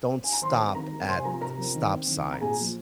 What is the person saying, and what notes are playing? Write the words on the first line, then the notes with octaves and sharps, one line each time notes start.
don't stop at stop signs,
G#5
A#5
D#3 C5 C6
G#3
C4
D#3 A#4 A#5
G#3
C4
C3 C5 C6
G#5
F3 C4 A#4 A#5
C3 A#4 A#5
F3 C4
D#3
C4
D#3
C4
A#5
A#2 G#4 G#5
F3 A#3